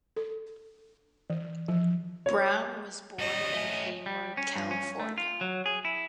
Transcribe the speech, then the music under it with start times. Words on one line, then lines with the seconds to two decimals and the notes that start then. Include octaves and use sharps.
Brown was born in Hayward, California.
0.16 A4
1.30 E3
1.68 F3
2.26 C#5
3.19 G3 C#4 D#5
3.54 A3 C#4
4.06 G3
4.37 C#4
4.56 G2
4.71 C#4
5.00 A3
5.18 F4
5.41 F#3
5.66 G#4
5.85 E4